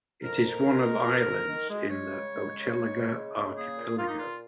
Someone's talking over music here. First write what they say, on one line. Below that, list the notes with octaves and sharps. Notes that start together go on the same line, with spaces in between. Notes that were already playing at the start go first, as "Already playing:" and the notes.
It is one of islands in the Hochelaga Archipelago.
F2 A#4
F2
D#3
G#3
F2
F2
D#3
G#3
G#3 C#5
C#3
G#3
C#3
G#3
C#3
G#3
C#3
A#3 G#4
A#2
A#3 F4
D#4
A#2 F4